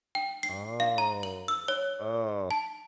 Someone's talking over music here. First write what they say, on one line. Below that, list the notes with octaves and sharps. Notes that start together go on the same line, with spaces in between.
Oh, oh.
G5
C7
F5
A#5
F#7
E6
C#5
A5